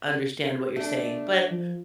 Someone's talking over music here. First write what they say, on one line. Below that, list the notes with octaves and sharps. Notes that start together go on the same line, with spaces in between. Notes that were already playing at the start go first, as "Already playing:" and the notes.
understand what you're saying, but
A3 D4
F3